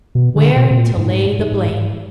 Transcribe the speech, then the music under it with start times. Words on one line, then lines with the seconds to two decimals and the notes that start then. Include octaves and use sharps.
Where to Lay the Blame.
0.15 B2
0.36 D3
0.56 B2
0.71 B2
0.77 A#2
0.97 G#2
1.39 G#2